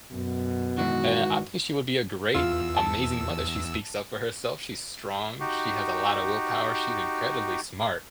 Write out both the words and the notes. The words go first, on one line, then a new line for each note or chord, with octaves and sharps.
Eh, I think she would be a great, amazing mother; she speaks up for herself, she's strong, she has a lotta willpower, she's incredibly smart.
F#2 B2
G#2 D#3 E3 F#4
E2 F4 E6
A5
D#4 F#4 G4